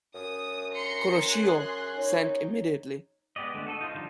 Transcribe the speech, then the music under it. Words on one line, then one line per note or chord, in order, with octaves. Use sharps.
"Kuroshio" sank immediately.
F#2 D#6
A#5 C6 C#7
G#4 C6 F#6
D#4 C#5
G#3 B3 G4 D5 D#5
D3 G#3 A3 B3 D4
F#4 A4 D#5
D#4 F4 C5
D3 F3 G3 D4 D#4